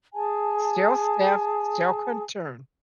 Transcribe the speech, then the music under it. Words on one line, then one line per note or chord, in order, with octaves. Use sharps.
Still stiff, still couldn't turn.
G#4 G#5 A5